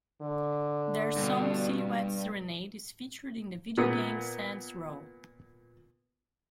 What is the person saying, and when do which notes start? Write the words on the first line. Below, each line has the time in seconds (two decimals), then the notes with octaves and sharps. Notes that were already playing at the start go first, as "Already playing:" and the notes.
Their song "Silhouette Serenade" is featured in the video game "Saints Row".
0.22 D3
1.17 G2 B2
3.77 A#2 B3